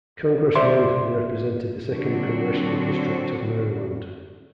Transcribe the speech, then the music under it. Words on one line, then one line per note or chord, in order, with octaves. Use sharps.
Congressman who represented the second Congressional district of Maryland.
C5 D5 E5 C6
D3 F#3 C4 D4 F#4